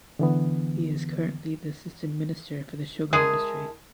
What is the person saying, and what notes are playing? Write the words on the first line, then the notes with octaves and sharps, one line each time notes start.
He is currently the Assistant Minister for the Sugar Industry.
D3 E3 B3
G#3 E4 G#4 A#4 A5